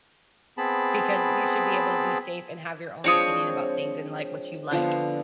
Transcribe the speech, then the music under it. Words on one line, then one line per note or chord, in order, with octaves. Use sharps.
Because you should be able to be safe and have your own opinion about things and like what you like,
B3 C4 G#4 A5 B5
F3 G#3 C4 D4 C#5 D#6
D3 F3 B3